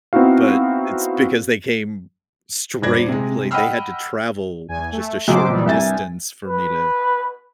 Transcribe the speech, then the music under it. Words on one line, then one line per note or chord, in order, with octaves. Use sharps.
but it's because they came straight, like, they had to travel just a short distance for me to
B3 C4 D#4 E4 F#4 F5
D#1 G2 D5 G#6 A#6
C3 G#3
D#5 F#5 G5 B5 E6 F6
E2 G#5
A3
B1 C#3 F#3 C5 D6
A#2 E3 G3
C2 G2 E5 G#5 A6
B4